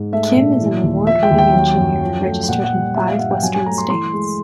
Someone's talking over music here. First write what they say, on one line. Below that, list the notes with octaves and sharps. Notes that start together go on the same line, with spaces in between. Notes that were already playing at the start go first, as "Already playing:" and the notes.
Kim is an award-winning engineer, registered in five western states.
Already playing: G#2
A3 E5
A#2
E3
D#2
F3 E5
G5
D#2
G5
F#3
F#2
F3
A3
A#2 F#5
F#5
G3
F3 E5
F5
G2 F#5
G5
F#3 G#5
G#5
A3 A#5
C6
E3 C6
G#3